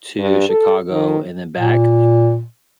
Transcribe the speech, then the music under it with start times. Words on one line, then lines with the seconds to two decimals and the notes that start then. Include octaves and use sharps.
to Chicago and then back,
0.19 G2
0.49 A4
0.92 D#3
1.57 A#2